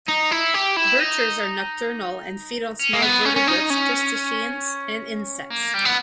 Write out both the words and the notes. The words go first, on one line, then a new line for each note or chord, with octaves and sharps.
Bichirs are nocturnal and feed on small vertebrates, crustaceans, and insects.
D#4
E4
G4
E4
D#4
C#4
A#3
B3
C#4
C#4
D#4
C#4
A#3
G3
B3